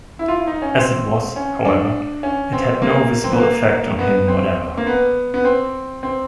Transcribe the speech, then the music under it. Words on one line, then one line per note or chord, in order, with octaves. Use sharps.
As it was, however, it had no visible effect on him whatever.
E4
F4
E4
D#4
C#4
C4
C#4
D4
C#4
C4
A#3
C4
B3
A#3
B3
C4
A#3
B3
B3
C4
C4